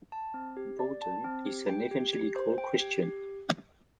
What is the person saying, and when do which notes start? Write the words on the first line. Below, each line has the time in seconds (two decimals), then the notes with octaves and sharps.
Bowden is an evangelical Christian.
0.12 A5
0.34 C4
0.57 G4
0.79 D5
1.02 A5
1.24 C4
1.46 G4
1.69 G5
1.91 G4
2.13 G4
2.36 C5
2.58 G5
2.80 G4
3.03 G4